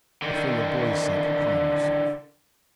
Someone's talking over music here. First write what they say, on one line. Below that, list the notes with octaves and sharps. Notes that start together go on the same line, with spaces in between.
But for your boy's sake, calm yourself.
D3 D#3